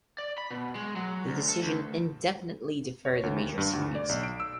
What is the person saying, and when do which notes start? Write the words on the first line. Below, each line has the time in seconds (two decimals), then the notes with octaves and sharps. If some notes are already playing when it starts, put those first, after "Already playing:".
The decision indefinitely deferred the Major Series.
0.18 D5
0.38 B5
0.51 B2
0.75 G#3
0.96 F#3
1.27 D2
1.49 A4
1.62 D2
3.05 C#5
3.23 D2
3.36 D#2
3.58 G2
3.73 D2
3.95 D5
4.09 B1
4.23 D7
4.40 E6